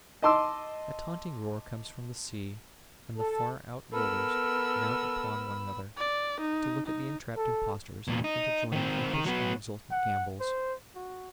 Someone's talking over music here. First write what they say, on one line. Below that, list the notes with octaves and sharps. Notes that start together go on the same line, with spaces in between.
A taunting roar comes from the sea, and the far-out rollers mount upon one another, to look at the entrapped impostors, and to join in impish and exultant gambols.
D#5 A5 C6 D6 E6
A4
B3 A4 A#4 B5 E6
D5
D#4
D#4
A4
E2 A#2
D#4
D#3 C4
D#3
F#3 B3
F#5
C5
F#4